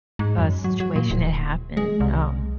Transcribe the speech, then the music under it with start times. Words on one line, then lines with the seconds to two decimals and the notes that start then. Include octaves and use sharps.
uh, situation that happened, um,
0.19 G#2
0.39 F#2
0.64 F#3
0.80 F#3
0.96 A#2
1.11 D1
1.77 G#3
2.00 C2